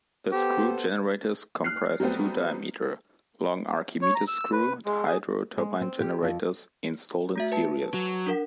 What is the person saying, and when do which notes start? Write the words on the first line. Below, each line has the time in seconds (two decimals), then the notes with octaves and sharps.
The screw generators comprise two diameter, long Archimedes' screw hydro-turbine generators installed in series.
0.32 B3 G4 A4 C5
1.64 F6 F#6 C7
2.00 F#3 G3 A3 B3 C4
4.02 C#5
4.15 A#5
4.28 E6
4.53 B4
4.85 G#3
5.07 G#4
5.57 G#3
5.81 C4
6.00 G4
6.22 F2
7.36 A3 F#4 E5
7.52 B4 A5
7.94 F#3
8.26 D4 A#4 F#5